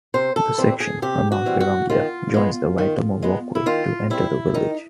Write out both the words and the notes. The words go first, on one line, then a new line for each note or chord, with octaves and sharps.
The section from Mount Pirongia joins the Waitomo Walkway to enter the village.
C3 C5
A4
E3 G3 C4
G#4
C3 G4
F#4
E3 G3 C4
F#4
D#3 F4
G#3 B3
D#3
G#3 B3
E4
D#3 F4
G3 C4 E4
D#3 D#4